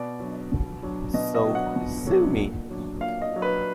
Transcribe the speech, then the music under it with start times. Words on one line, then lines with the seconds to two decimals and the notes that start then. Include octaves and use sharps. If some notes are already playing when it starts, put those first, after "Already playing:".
So sue me!
Already playing: B2 D5
0.20 F#3 D4
0.52 B2
0.83 F#3 D4
1.14 B2 D#5
1.35 D#5
1.45 F#3 D4
1.55 F#5
1.76 B2
2.07 F#3 D4
2.38 A#2
2.70 F#3 D4
3.01 A#2 F5
3.22 D#5
3.32 F#3 D4
3.42 B4